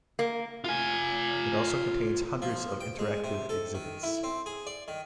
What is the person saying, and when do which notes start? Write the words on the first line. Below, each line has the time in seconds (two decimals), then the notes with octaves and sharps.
It also contains hundreds of interactive exhibits.
0.19 A#3
0.64 F4 G#5
2.42 F3
2.81 G5
2.99 G#3
3.24 C3
3.49 A4
3.75 D#3
4.03 E4
4.23 C4
4.46 G#4
4.67 D5
4.88 D#3